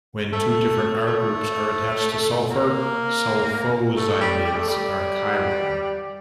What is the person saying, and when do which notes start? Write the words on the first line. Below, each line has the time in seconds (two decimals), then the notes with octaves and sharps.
When two different R groups are attached to sulfur, sulfoximides are chiral.
0.33 A3
1.06 A3
2.51 A#3
3.97 A3
4.21 G3
4.45 G3
4.56 A3
4.67 G3